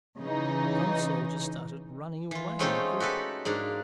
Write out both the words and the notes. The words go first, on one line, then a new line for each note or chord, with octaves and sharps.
Some soldiers started running away in a group.
C#3 E3 D#4
E3 F4
G#3 A3 C4 C#4 D#4 F4
F#4 G4 A4 B4
G#2 A#3 D4